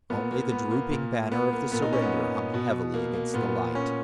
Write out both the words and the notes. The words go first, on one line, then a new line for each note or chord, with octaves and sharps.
Only the drooping banner of the surrender hung heavily against the light.
A#2 B3
A#3
B3
A#3
A#2
B3
A#3
A#2 B3
D#4
C#4
B3
B2
A#3
A#3
A#2 B3
C#4